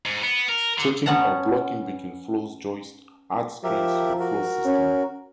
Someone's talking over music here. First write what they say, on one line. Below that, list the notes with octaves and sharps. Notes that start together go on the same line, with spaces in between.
Strutting or blocking between floor joists adds strength to the floor system.
G#2
B3
A#4
D3
B3 C#4 F#5 A5 A#5
F3 G4 A#4 E5
F#4 A#4
C#4